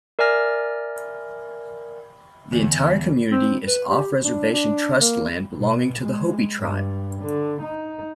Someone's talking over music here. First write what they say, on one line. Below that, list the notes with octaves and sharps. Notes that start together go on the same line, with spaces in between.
The entire community is off-reservation trust land belonging to the Hopi tribe.
A#4 D5 E5 G#5 F6 A#6
E2 D3
C4
B4
G4
D4
D4
A#3
B2
G#3
G2
D3
D#4